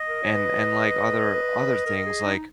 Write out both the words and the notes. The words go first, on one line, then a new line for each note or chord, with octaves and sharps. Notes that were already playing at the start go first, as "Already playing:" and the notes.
And and, like, other other things, like
Already playing: D#5
A#4
C#5
B4
A#4
A#4
G#4
D#4